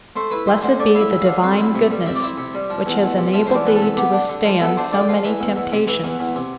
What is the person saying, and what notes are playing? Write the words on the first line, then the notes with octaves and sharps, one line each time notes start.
Blessed be the Divine goodness, which has enabled thee to withstand so many temptations!
A3 C5
E4 B4
D2 C5
D3 C5
A3 D5
E4 F5
E5
D2
F5
D3
C4 F5
E4
C3
G3
C4 E5
D5
E4 E5
C3
G3
F3
E2
E2
C3
F3 E5
E2 C5
D5
E2 B4
A4
C3
B3 G4
D4
D3
F3
B3 A4
D4 C5
D3 D5
G5
F3 F5
E3 E5
E2
E2
C3
E3
E2
E2
C3